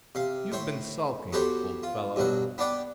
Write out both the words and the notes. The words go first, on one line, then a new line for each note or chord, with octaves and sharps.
You've been sulking, old fellow.
C3 F5
A2 C5 C#5 C6
B3 F#4 G4 A4 C5 C#5
F4
G2 B2 F#3 F#5
B3 D4 D5 F#5 G5